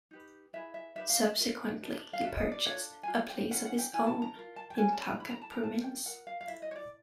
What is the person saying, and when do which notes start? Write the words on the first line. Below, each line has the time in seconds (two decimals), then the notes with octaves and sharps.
Subsequently he purchased a place of his own, in Talca Province.
0.11 D#4 G4 B4
0.53 E4 G#4 B4 E5
0.74 E5
0.95 D#4 G4 B4 E5
1.10 F5
1.24 E5
1.39 F4 A#4
1.81 D#4 F#4 A4
2.13 F5
2.23 C#4 F#4 A4 E5
2.37 D#5
2.52 D5
2.65 D4 F4 A4 C#5
3.03 G#5
3.08 D4 F4
3.30 G5
3.51 C#4 E4 G#4 F#5
3.65 F#5
3.78 G5
3.93 E4 A4 G#5
4.07 A5
4.22 A#5
4.35 F4 A#4
4.56 A5
4.70 G5
4.78 C#4 F#4 B4 G#5
4.93 A5
5.06 A#5
5.20 E4 A4 B5
5.30 A#5
5.41 A5
5.52 A#5
5.63 F4 A#4 A5
5.84 G5
6.05 F4 A#4 F#5
6.27 F5
6.41 F5
6.48 E4 A4 E5
6.62 D#5
6.71 C#5
6.76 D5